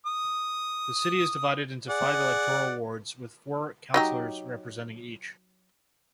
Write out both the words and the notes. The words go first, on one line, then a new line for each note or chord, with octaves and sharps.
The city is divided into five electoral wards, with four councillors representing each.
D#6
G#4 D5 F#5
F#3 D#4 G4